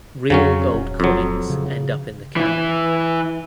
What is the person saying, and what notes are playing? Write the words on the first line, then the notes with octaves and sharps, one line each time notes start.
Real gold coins end up in the cannon.
F2 C#3 F#3 C#4
D#1
F2 F#3
C#3
E3 E4